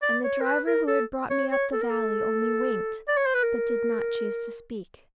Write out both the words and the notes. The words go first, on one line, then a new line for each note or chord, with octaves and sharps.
And the driver who had brought me up the valley only winked, but did not choose to speak.
D5
C#5
A#4
B4
A#4
A4
C#5
C#5
A4
A#4
A4
D5
C#5
C5
B4
A#4